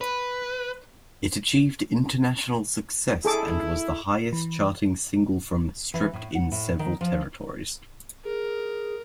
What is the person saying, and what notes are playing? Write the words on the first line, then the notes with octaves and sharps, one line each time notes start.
It achieved international success and was the highest-charting single from "Stripped" in several territories.
B4
E4 G#4 A4 D6
E3
E3
A2
F#5
A2
D#3
F3
G#4 A#4